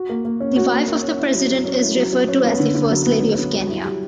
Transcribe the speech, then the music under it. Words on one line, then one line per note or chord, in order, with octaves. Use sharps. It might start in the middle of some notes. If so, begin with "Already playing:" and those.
The wife of the President is referred to as the First Lady of Kenya.
Already playing: F#4
A#3
A#3
C#4
F#4
A#3
A#3
C#4
E4
F#3
F#3
C#4
E4
F#3
F#3
C#4
B3
D3
D3
F#3
B3
D3
D3
F#3
E4
G3